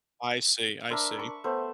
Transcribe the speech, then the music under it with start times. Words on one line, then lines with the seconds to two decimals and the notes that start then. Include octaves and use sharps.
I see I see.
0.90 D4 A#4 E5 C6
1.17 B5 C#6
1.44 A3 B3 C5